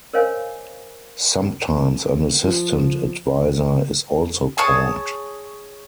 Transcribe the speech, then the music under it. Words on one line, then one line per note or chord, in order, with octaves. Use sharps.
Sometimes an assistant adviser is also called.
A#4 C5 C#5 D#5 F5 G#5
F3
G#4 C#5 A5 D#6